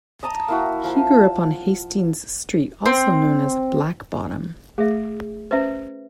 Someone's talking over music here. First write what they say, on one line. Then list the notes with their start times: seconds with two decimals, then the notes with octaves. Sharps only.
He grew up on Hastings Street, also known as "Black Bottom".
0.23 D#5 A5 A#5 D#6
0.48 A#3 E4 F#4
0.84 F3 F#5 A5
2.86 C4
4.78 A3 G#4 E5
5.51 C#4 B4 C5 E5